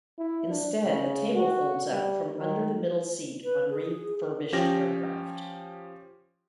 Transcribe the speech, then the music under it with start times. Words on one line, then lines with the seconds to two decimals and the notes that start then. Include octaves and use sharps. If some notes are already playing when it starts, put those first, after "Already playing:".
Instead, a table folds up from under the middle seat on refurbished aircraft.
0.18 E4
0.49 D4
0.84 C#3
1.34 F#4
1.90 G3
2.38 D#3
3.44 B4
3.70 G#4
3.87 G#4
4.53 F3 C#4 G4 A#6